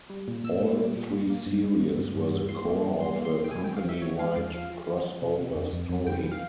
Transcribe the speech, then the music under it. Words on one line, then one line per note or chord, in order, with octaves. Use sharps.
All three series were the core of a company-wide crossover story.
G3
A#2
A#2 E6
A#2
G3
A#2
A#2
A#3
G2
G2
G2
G2
G2
G2
E3 C6
A#3
G2
G2 C6
A#3
C6
E3
G5
C3 G#5
G5
E2
F5
F3 E5
E2 C#5
G#3 F5
E2 F5
F3 F5
F3
F3
F3
C3
C3
F2
F2
F2
F2 G5
E3
F5